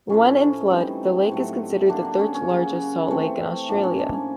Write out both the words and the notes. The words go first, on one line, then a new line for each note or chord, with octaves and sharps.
When in flood, the lake is considered the third largest salt lake in Australia.
A2 F3 A3 C#4
A2 E3 G3 C4 D#4
A2 F#3 A3
D3 F#3 A#3 D4
D4
C#4
C#4
C#3 F#3 A#3
E3 A3 C4
A2 F3 A#3 D4
C#4
D4
C#4